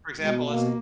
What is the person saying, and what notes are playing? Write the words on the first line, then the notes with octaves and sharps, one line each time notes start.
For example, is eh
B2 G#3
B2 A#3